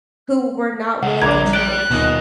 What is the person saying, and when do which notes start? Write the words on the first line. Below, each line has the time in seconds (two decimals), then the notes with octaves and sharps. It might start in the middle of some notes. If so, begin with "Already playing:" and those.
who were not willing to change,
1.03 C#2 F#5
1.22 A#1 D4 A#5 D6 G#6
1.53 D5 G5 F#6 D7
1.91 D#1 B2 D#4